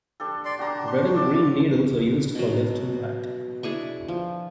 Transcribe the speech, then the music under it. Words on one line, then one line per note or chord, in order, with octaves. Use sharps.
Red and green needles are used for left and right.
D4 G4 A4
D5 C6
D4 F#4 G4 A#5
C6
D5 E5 D6
B2 F#3
D4 E4 G#4 C#6
F3